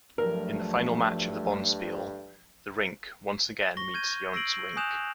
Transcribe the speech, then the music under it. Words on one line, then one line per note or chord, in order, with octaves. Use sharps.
In the final match of the bonspiel, the rink once again meets Yount's rink.
G2 F3 F#3 A3 A#4
C#6 A#6 G7
F6 G6 G#6 D#7
E6 A#6 C7 D7 F#7
G#5 D#6 F#6 G6 E7 F7